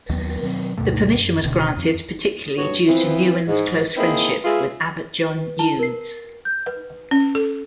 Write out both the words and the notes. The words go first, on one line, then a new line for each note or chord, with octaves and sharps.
The permission was granted particularly due to Nouwen's close friendship with Abbot John Eudes.
D#2 F#3 A#3 B3
B2 D#3 F#3 C4
D2 G2 B2 A3
F#2
D1 B2 D3 D4
F2
G2 B3 F#4 C#5
E3 F3 B3 C4 E4
G#2
A#3 C4 D#4 E4 G#4
G#3 F4 G#4 B4 E5
E4 A5 G7
A#4 C7
G6
B4
C#4
A4